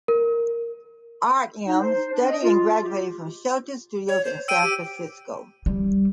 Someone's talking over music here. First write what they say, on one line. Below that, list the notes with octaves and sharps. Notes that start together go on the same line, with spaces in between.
Artem studied and graduated from Shelton Studios in San Francisco.
A#4
D#4
C5
D4
D#5
F4
G4
C#5
C5
G5 E6 D7 D#7
G4
G3